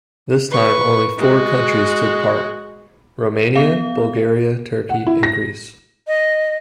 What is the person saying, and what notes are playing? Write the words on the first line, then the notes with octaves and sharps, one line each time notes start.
This time only four countries took part - Romania, Bulgaria, Turkey and Greece.
B4 C#6
G#3 F#4
B3 F5
F#5
E4
A#6
D#5